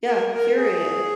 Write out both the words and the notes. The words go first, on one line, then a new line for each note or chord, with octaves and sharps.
Yeah, period.
A#4
A#4
G#4